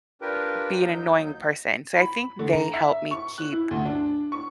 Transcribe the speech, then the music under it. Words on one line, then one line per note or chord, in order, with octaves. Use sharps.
be an annoying person, so I think they help me keep
D4 F4 G4 A#4 B4 G5
D#2 F#3 D#4 G6
B5
D3
A#5
E5
C#6
F#6
E4
D2
D4
C#6